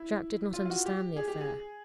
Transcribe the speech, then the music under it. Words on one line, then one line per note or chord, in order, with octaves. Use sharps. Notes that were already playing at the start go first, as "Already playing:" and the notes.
Jacques did not understand the affair.
Already playing: E4
F4
F4
F#4
G4
G#4
G4
G#4